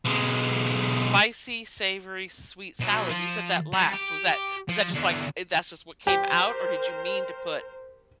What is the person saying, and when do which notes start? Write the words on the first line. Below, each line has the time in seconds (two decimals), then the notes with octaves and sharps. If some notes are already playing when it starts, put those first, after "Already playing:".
"Spicy, savory, sweet, sour," you said that last, was that was that just, like, eh, "That's just what came out," or did you mean to put
0.05 B1 G#3
2.81 B2 F#3
3.10 F3 F4
3.73 G3
3.93 G4
4.69 F3
4.94 E2 D3
6.07 G4 A#4 C5